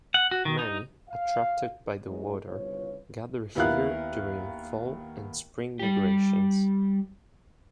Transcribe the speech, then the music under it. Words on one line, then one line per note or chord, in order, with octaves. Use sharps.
Many, attracted by the water, gather here during fall and spring migrations.
F#5
F#4
D#3
D#4
F5
A1 F#2 E3 F#3 G#3
G1 C2 C#3 F4 B4 C#5
D#2 B3 E4 A#4 F5 F#6
G3 G4